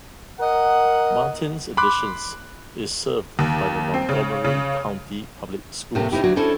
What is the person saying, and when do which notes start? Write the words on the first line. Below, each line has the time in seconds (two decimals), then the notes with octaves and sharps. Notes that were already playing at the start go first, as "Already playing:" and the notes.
Martin's Additions is served by the Montgomery County Public Schools.
0.40 A#4 D#5 F#5
1.77 B5 C6 D6 F#6
3.39 D#2
3.94 C4
4.09 C#3
4.45 C#3
5.95 A2 C3 A3 A#3
6.12 C3 D#4 E4 G4
6.24 D2 F#3 F#4 D5
6.36 C#4 D4 E4 A4 C5 D5